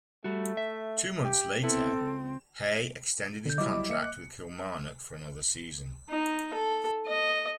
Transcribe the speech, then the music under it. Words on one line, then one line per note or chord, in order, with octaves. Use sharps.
Two months later, Hay extended his contract with Kilmarnock for another season.
G3 A3 F#4
E5
G4
B3 C4 E4 A4
C#2
D3 G6
F#3 G3 E4 D#5 D6
A#3 E5 C#7
F#6
D#4
A4
D#5